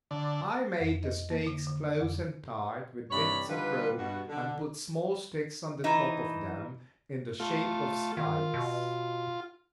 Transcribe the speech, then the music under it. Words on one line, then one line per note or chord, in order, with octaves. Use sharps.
I made the stakes close and tight with bits of rope; and put small sticks on the top of them in the shape of spikes.
D3
F2
D#5
A#3
D3
D3
F2
G2 C3 E3 C#5 D5 B5
D3 G3 D#4 F4 B4
G2 B2 F#4
D3
E3 D#4
A3 F4
D#3 F4
B2